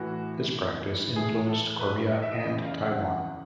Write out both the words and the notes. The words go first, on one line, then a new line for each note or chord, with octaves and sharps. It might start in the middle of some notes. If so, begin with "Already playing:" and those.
This practice influenced Korea and Taiwan.
Already playing: A2 E3 F#4
A2 E3 G#4
A4
B4
D#5
E5
D#5
E2 C#3 E3 D#5
F5
F#5